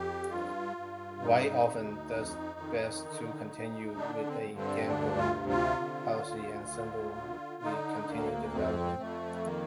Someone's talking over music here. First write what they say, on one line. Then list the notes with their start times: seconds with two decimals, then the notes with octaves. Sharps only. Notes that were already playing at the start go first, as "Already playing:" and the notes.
White often does best to continue with a gambit policy and simply continue developing.
Already playing: F2 G4
0.31 G2 F4
0.77 G2
1.22 C3 D#4
1.68 D2
2.13 F2
2.59 D#3
3.05 D3
3.51 D2
3.96 D3 D4
4.27 C4
4.42 G2
4.58 C4
4.88 D2 D4
5.19 F4
5.34 C3
5.49 F4
5.80 D3
6.25 D2
6.71 D3
7.17 D3
7.63 D3 D#4
8.08 D2 A#3
8.54 F2 C4
8.99 F2 A3
9.45 D#3 A#3